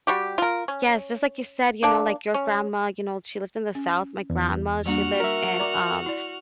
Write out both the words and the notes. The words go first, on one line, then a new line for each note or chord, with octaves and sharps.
yes just like you said, you know, like, your grandma, you know, she lived in the South, my grandma, she lived in, um,
G3 F#4 G4
F4 A#4
C#4
A#3 D4
C#4
C#4
E2
G3 A#3 D4 F#4 F6
A#4 E5
D5 A#5 D6
E4 D5